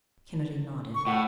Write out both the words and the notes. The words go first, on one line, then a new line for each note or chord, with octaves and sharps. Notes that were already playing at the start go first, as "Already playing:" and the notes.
Kennedy nodded.
C#6
A2 F#5